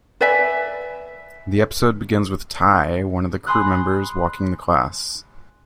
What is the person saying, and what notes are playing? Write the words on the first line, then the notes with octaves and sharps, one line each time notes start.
The episode begins with Ty, one of the crew members, walking to class.
B4 D5 E5 G#5
G#5 B5 C6 D#6 F#6